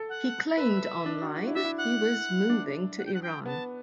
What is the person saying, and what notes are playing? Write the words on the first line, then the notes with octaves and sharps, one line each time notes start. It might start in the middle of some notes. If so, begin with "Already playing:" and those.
He claimed online he was moving to Iran.
Already playing: A4
F#5
B4 E5
D4
F#4
F#4
E4
D4 E5
E4
F#5
D4
F#5
G5
F#5
G5
B3 A5